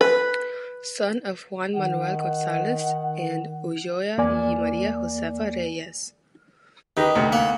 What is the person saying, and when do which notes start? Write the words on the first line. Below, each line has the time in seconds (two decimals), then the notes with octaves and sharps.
Son of Juan Manuel González and Ulloa y María Josefa Reyes.
0.01 B4
1.76 D#3 F#5
4.18 E2 A#3 D5 G#5
6.97 D#3 D#4 G4 B4
7.15 D2 C3
7.32 A#3 F#5